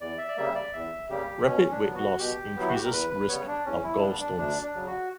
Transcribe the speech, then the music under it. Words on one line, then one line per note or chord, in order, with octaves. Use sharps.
Rapid weight loss increases risk of gallstones.
E2 D5
E5
D5
C#3 G3 A#3 E5
D5
E2 E5
C#3 G3 A#3 G4
B2 C#4
D4
F#3 B3
F#4
B2 G4
F#3 B3 E4
F#4
G4
A#4
E2 B4
B4
C#3 G3 B3 C#5
D4
E2 C#4
E4
C#3 G3 B3 D4
D4
D2 D4
D4
C#3 F#3
F#4